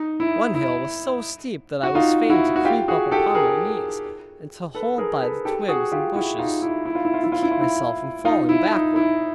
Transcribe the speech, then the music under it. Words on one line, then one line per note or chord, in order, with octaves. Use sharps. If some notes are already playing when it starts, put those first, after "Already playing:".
One hill was so steep that I was fain to creep up upon my knees, and to hold by the twigs and bushes to keep myself from falling backward.
Already playing: D#4
E4
E4
F#4
D#4 F4
E4 F#4
F#4
F4 G4
F#4 G#4
G4 A4
G#4 A#4
A4 B4
G#4 A#4
A4 B4
G4 A4
F#4 G#4
F4 G4
E4 F#4
D#4 F4
E4
E4
F4
E4
F4
E4
F4
E4
F4
E4
D#4 F4
E4
D#4
E4